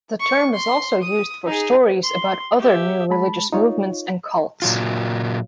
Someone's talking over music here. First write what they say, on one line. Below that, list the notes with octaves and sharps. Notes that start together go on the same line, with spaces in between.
The term is also used for stories about other new religious movements and cults.
C#6
C6
D#6
D#4 G#4
C6
G4 E5
G#3 A5 B5
D#4 F4 C#5
A#2 F#3 F4